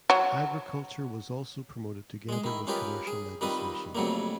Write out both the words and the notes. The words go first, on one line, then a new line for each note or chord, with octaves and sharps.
Agriculture was also promoted together with commercial legislation.
F#3
G#3 G#4
D#3 E4
C#4 F4 G4 A#4 B4 D#5
G#4
D#3 G3 C4 F4 B4 D#6
F2 C#3 F#3 G3 A3 A#3